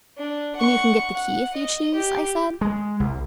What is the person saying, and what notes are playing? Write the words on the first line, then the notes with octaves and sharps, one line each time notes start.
'And you can get the key if you choose?' I said.
D4
F#5 C#6
F#5
D#5
G4
G#3
C2